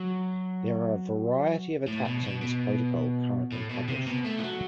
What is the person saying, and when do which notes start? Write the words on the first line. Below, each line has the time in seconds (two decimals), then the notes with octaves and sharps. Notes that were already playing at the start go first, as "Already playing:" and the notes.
There are a variety of attacks on this protocol currently published.
Already playing: F#3
1.88 A2
2.05 B2
2.23 B2
2.42 B2
3.52 A2
3.70 B2
3.88 C3
4.07 B2
4.25 A3
4.39 E3
4.44 F#3